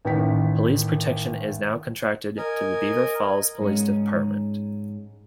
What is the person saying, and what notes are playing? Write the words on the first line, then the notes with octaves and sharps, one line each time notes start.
Police protection is now contracted to the Beaver Falls Police Department.
A1 D#3 B6
A#4 D#5 G#5
G#2 G#3 A#3 C#4 D#4